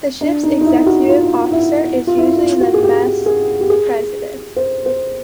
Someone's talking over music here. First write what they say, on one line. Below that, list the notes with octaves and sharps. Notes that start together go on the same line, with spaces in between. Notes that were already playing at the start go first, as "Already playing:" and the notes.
The ship's executive officer is usually the "mess president".
D4
D#4
D#4
E4
F#4
F4
E4
F4
E4
F4
F#4
G#4
G4
G#4
G4
G#4
C5
C5